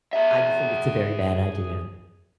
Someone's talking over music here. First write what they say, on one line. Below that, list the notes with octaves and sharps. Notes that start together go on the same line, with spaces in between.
I just think it's a very bad idea.
G#4 E5